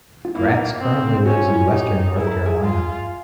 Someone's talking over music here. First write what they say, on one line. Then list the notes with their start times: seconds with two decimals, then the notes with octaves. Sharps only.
Gratz currently lives in western North Carolina.
0.25 F4
0.35 A#3 E4
0.50 D#4
0.80 C4
1.26 C#4 F#4
1.37 F4
1.48 E4
1.66 F#4
1.70 D#4 G4
2.16 E4 G#4
2.26 A#4
2.31 A4
2.46 G#4
2.62 F4